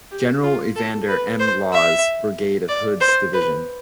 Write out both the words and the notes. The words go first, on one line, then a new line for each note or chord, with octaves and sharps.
General Evander M. Law's brigade of Hood's division.
G4
F4
A4
B4
C5
E5
D5
C5
B4